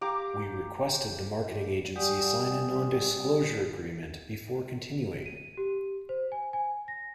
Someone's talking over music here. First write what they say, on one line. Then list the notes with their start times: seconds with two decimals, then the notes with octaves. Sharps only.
We requested the marketing agency sign a non-disclosure agreement before continuing.
0.01 G4 F5 A#5 D6
1.96 G3 G4 D5 F#5 G#5 D#6
5.26 D#7
5.57 G4
6.09 C5
6.32 G#5
6.53 G#5
6.88 A#6